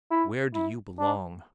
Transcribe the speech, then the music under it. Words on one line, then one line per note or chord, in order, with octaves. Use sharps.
Where do you belong?
E4
E4
D4